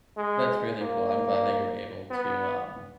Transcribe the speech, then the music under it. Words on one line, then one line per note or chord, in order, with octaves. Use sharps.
That's really cool, I'm glad that you're able to, um
G#3
A#3
B3